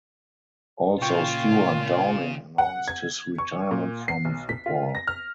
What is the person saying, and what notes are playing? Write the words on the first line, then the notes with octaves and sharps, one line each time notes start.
Also Stewart Downing announced his retirement from football.
A#2 C#3 F4 G5 C#6
F#5
G#6
C#6
A#2
C7
B1
B6
F4
A#6
F6